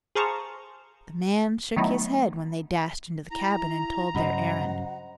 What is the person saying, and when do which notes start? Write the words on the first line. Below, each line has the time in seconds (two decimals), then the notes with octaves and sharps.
But the man shook his head, when they dashed into the cabin and told their errand.
0.15 G#4 C5 F5 A5 A#5 C#6
1.76 D#3 F#3 A3 B3 D#4 E4
3.31 E4 A#5
4.15 G2 C#3 F#3 C5 D#5 F#5 B5